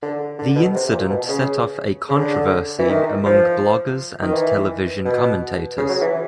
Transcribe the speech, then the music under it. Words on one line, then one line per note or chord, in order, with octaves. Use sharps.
The incident set off a controversy among bloggers and television commentators.
D3
D3
B2
C3
A#2
B2
C#3
C#3
D3
E3
D#3
F3
D#3
E3
B2
C#3
F#3
E3